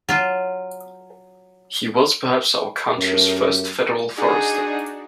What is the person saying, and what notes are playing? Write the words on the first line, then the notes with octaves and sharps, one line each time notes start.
He was perhaps our country's first federal forester.
F#3 F4
F#2 A3 G4 A#4
D4 D#4 F#4 G#4